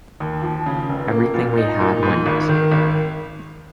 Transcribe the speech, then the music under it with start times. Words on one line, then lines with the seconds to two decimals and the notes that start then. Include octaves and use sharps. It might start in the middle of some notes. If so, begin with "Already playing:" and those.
Everything we had went.
0.20 D#2
0.42 F3
0.66 C#3
0.89 F1
1.11 A#3
1.34 A#2
1.58 D#4
1.80 A#2
2.03 G#2
2.26 G#1
2.49 D#3
2.72 G#1